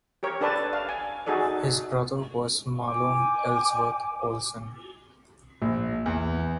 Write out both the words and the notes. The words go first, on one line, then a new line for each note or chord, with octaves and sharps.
His brother was Mahlon Ellsworth Olsen.
G4 A#4 C#5
D4 A4 B4 D5 A5
F5
G#5
D#4 F#4 G#4 A4 D5
G5 G#5 D6
A#1
E2